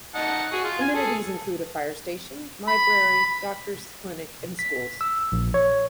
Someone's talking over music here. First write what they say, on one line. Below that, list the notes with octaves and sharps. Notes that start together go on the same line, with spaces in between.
Amenities include a fire station, library, doctor's clinic and schools.
D#4 F#5 A5
F#4 G#4
F4
G#5
G#4 A4
B5
B6
E6
A#1
C#5